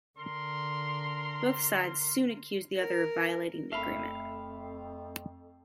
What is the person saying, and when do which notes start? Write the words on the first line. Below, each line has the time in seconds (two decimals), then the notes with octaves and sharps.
Both sides soon accused the other of violating the agreement.
0.19 D3 A#4 C6
2.79 A#4
3.72 D#1 F2 A3 E5 F5 B5